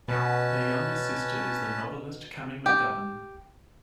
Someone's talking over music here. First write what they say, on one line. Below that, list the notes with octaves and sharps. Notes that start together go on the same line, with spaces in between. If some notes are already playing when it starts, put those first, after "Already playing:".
Her younger sister is the novelist Cammie McGovern.
B2 C#4 B4 A5
G4